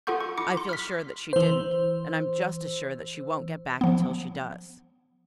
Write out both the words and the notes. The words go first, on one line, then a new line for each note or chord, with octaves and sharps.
"I feel sure that she didn't, and I am just as sure that she won't get back until she does."
F4 G#4 A4 F#5 C#6 G6
C#6
E4 D6 C#7
C6
F6 B6
E3 C5
F3 B3